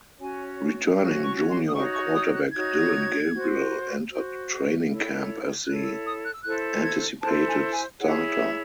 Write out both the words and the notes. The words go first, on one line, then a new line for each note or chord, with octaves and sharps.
Returning junior quarterback Dillon Gabriel entered training camp as the anticipated starter.
C#4 F#4 C#5 G#5
C#4 F#4 C#5
C#6
C6
D#6
D#4 F#4 C#5 C#6
C#6
D#6
F#6
D#4 F#4 C#5 G#6
F#4 C5
F#4 C5
E4 A4 C#5
E4 A4 C#5 F#6
E6
D#6
F#6
E6
E4 A4 C5 F#6
G#6
E4 A4 C5 A5
G#5
G#5
E4 G#4 C#5 F#5
E5